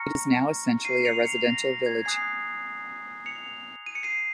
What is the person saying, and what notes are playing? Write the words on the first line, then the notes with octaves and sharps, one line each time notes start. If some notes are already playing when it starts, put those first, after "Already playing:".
It is now essentially a residential village.
Already playing: A#5 C#6 F6 A#6 C#7
C7 D#7
C#7 F7
C#7 F7
A#6
A#6
G#6
G#5 D#6 F#6 G#6 C7
C#7 F7
D#7
C#7
C7 D#7